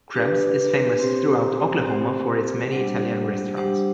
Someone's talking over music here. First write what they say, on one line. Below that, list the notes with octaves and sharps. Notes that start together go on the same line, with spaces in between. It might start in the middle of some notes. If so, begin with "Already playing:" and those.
Krebs is famous throughout Oklahoma for its many Italian restaurants.
D4 G4 B4
C4 G4 C5
C4 G4 C5
G3 D4 G4 C5 F#5
G3 D4 G4 C5 F#5